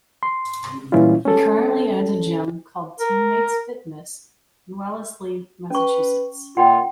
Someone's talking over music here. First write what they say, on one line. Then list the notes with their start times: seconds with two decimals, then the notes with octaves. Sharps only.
He currently owns a gym called Teammates Fitness in Wellesley, Massachusetts.
0.23 C6
0.92 A#2 E3 G3 C#4 E4 F4
1.25 C#4 A4
3.00 A#4
5.70 C#4 B4 C#6
6.57 A#2 F4 F#5 G5